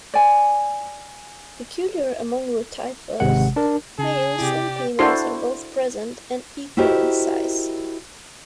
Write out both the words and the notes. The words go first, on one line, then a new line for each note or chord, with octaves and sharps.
Peculiar among rotifers, males and females are both present and equal in size.
D5 G#5
G#1 C3 G#3 F#5
D4 A#4
C#3 G#4 A5
C3 E4 G4 D5
D4 E4 F#4 A4 C5 C6
E4 F#4 G4 A#4 C5 D#5